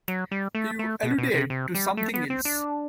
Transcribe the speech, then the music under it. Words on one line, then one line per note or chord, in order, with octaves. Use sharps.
You alluded to something else.
F#3
G3
A3
A3
B2
B2
C3
C3
G3
A3
B3
C4
D4